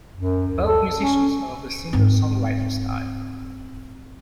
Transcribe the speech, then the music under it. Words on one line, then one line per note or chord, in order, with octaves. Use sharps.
Both musicians are of the singer-songwriter style.
F#2
A4
C#4
G#2 C4